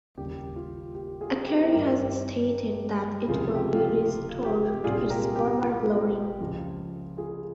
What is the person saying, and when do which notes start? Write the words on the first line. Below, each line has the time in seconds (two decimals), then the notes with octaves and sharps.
Ackerie has stated that it will be restored to its former glory.
0.17 D#2 C#3 G3 G4
0.56 F4
0.95 G4
1.21 F4 G#4
1.47 G4 A#4
1.63 C5
1.72 G2 D#3 G3 G4 A#4
3.28 C#2 C3 F3 F4 G#4
3.55 G4
3.75 F4
3.80 G4
4.07 F4
4.45 G4
4.84 C2 A#2 G3 F4 G#4
5.10 G4 A#4
5.36 G4
5.62 F4
6.41 C#2 C#3 F3
7.17 F4 G#4